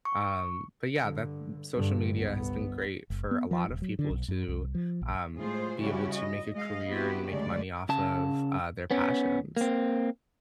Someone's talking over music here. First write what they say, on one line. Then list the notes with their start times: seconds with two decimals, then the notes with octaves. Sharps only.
um, but yeah, that social media has been great for a lot of people to, um, be able to make a career and make money off of, uh, their passions.
0.05 C#6
0.99 G2 D3
1.74 G2 D3
2.16 G1 C2 B3
3.10 F#1
3.31 B3
3.51 F3
3.69 D#1
3.82 F#3
3.99 D3
4.10 B1
4.28 F#2
4.48 C2
4.75 F3
5.02 A#1
5.38 A2 G#3 F4 G#4 C5
5.80 C#3 G3 C#4 E4 F#4 G4
6.14 D#5
6.55 G#3 D#5 F5
6.88 B3 C4 E4 F#4 G4 B4
7.27 D2 C#3 F#3 G#3 D5
7.89 C#3 A5
8.91 B3 C#4
9.57 A#3 C4